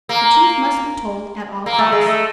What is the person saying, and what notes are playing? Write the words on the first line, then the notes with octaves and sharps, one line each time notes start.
The truth must be told at all costs.
A#3
A#3
A3
G#3
A3